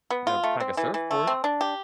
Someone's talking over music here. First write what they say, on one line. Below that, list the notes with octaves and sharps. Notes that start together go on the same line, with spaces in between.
Gotta pack a surfboard.
B3
F4
A3
C4
E3
E3
A3
C4
D4
G4